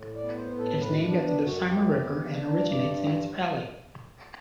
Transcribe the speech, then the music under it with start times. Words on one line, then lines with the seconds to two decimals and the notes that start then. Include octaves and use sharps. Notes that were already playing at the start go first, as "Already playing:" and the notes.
It is named after the Sarma River and originates in its valley.
Already playing: A2
0.16 D5
0.23 B3
0.37 C5
0.52 A2
0.59 A4
0.80 F#2 B4
1.02 D4
1.10 B3
1.24 D4
1.38 F#2
1.47 F#4
1.68 F#2 G4
1.98 B3
2.27 D4
2.56 G2 D5
2.71 D5